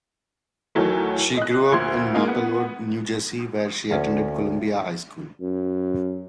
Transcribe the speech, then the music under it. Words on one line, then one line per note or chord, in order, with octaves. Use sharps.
She grew up in Maplewood, New Jersey, where she attended Columbia High School.
D#2 D#3 E3 F#3 A3
D#5 F#6
D2 A#2 F3 C6 G#6
G#3 A#3 D#4 F4
B3 F#5
D2 C#4
F#2